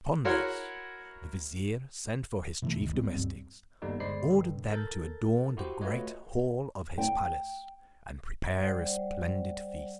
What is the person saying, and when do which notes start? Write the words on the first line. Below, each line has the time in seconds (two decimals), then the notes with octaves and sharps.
Upon this the vizier sent for his chief domestics, ordered them to adorn the great hall of his palace, and prepare a splendid feast.
0.25 E4 F#4 A#4 C#5 F#5 C6
2.62 B2 E3 F3 A3
2.79 G1 D2 D#3
2.93 G3 B3 C4
3.13 D1 G2 G3 C4
3.82 G1 D#2 D3 G3 B3 D#4
4.00 G1 G#3 C5 D5 B5 C7
4.29 G2 D3
4.70 A4 A#4 G6 A6
5.57 E4 F#4 G4 C5
5.81 A3 F4 F#4 B4 C#5 D#5
6.98 G5
8.58 G3 C5 D5 F#5